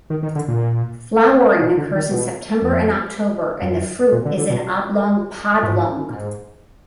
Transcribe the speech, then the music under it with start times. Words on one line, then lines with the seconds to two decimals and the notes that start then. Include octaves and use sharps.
Flowering occurs in September and October and the fruit is an oblong pod long.
0.10 D#3
0.23 D#3
0.36 D3
0.48 A#2
1.61 B2
1.77 D3
1.95 D#3
2.11 B2
2.62 F2
3.62 F#2
4.12 A#2
4.25 D3
4.38 D3
4.50 B2
5.63 G#2
6.09 A#2
6.14 G#2